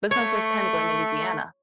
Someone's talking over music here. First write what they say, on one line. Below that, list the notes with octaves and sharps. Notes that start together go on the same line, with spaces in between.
That's my first time going to Louisiana.
A3 C#5